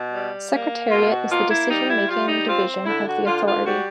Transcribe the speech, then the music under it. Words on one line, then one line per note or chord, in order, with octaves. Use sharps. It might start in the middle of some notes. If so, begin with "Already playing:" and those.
The Secretariat is the decision-making division of the Authority.
Already playing: B2
G3
A#3
B2 F4
F#4
A#3 F4
E4
G3 D#4
E4
G3 F4
D#4
C4 F4
D3 E4
F#4
D3 F4
F4
G3 F#4